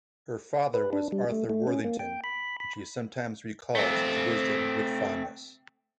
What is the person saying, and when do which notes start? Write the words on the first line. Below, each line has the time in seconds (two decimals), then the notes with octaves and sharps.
Her father was Arthur Worthington and she sometimes recalls his wisdom with fondness.
0.74 B4
0.93 D4
1.12 G3
1.32 A3
1.50 A3
1.67 C#4
1.85 A#3
1.99 G5
2.24 B5
2.60 B5
3.75 A3 C4